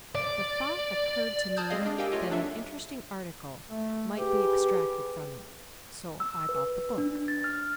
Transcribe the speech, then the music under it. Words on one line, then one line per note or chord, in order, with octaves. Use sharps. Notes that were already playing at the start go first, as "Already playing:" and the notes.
The thought occurred to me that an interesting article might be extracted from it, so I bought the book.
D5
A5 D#6 F6 G6 G#6
G#3 C4 G#4 D5 D#5 F5
D4
G4 A#4 F5 G5 G#5 E6
A3 F4 C#5 D#5
F#3 D4 A4 E5
A3
G4 G#4 B4
E6
B4
D4
A6
F6